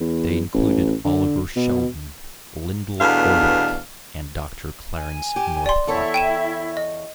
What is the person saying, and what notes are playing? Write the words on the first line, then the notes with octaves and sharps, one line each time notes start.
They included Oliver Sheldon, Lyndall Urwick and Doctor Clarence Northcott.
E2
A1
D3
B2
E2 B2 A3 D4 F5
G#5
G4
D5 C6
E2 E4 A4 C#5 E5
G5 D#7 E7
D#5